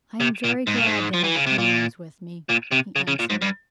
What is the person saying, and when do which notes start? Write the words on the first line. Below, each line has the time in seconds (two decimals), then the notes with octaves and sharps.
"I am very glad to have Penrose with me," he answered.
0.20 C3
0.44 A#2
0.67 G#2
0.76 A#2
0.86 G#2
1.14 F3
1.24 E3
1.35 C#3
1.47 C3
1.58 A#2
2.49 A#2
2.72 C3
2.96 C#3
3.07 C#3
3.19 A#2
3.30 G#2
3.41 G2